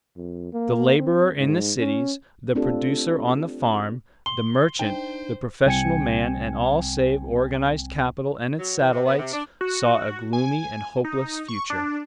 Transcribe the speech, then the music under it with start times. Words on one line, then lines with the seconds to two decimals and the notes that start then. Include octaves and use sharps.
The laborer in the cities, the producer on the farm, the merchant, the professional man and all save organized capital and its satellites, saw a gloomy and hopeless future.
0.17 F2
0.53 A#3
0.99 C4
1.38 G#2
1.79 C#4
2.55 A3 C4 D4 F4 G4 A4
4.26 C6 G7
4.79 D4 D#4 C5 G5
5.66 C2 C4 G5 G#5 G#6 C#7
8.58 F#3
8.79 E3
8.93 C3
9.06 B3
9.18 C3
9.32 D4
9.61 F#4
10.33 G#5
11.05 D#4
11.48 C#6
11.70 D4